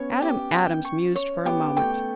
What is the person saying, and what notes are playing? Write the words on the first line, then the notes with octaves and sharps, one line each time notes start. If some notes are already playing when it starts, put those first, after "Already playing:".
Adam Adams mused for a moment.
Already playing: B3 C#4 C#5
G4
G5
C#6
C#5
B3 G4
A3 G5